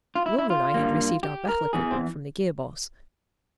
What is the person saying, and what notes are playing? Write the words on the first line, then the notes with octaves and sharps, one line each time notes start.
Wilma and I had received our battle equipment from the Gear boss.
F4
E4
E4
F4
G2 G3 A#3
G4
A#4
E2 E3 G#4
C4